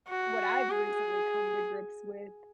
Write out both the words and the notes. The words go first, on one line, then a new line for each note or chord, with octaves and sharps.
what I've recently come to grips with,
F#4
G#4